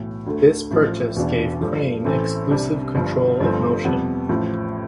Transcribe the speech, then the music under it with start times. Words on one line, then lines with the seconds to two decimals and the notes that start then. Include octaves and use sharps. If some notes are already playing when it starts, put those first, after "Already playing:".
This purchase gave Crane exclusive control of Motion.
Already playing: B1 A2 E3
0.26 D2 D3 A3
0.71 A1 A2 F3
1.16 E1 E2 B2 B3 D4
1.61 G2 F3 A3 D4
2.05 A1 A2 E3 A3 C4
2.50 C2 C3 G3 D4
2.95 G1 G2 F3
3.40 G1 G2 F3 A3 C4
3.85 F2 C3 G3 B3
4.29 A1 A2 F3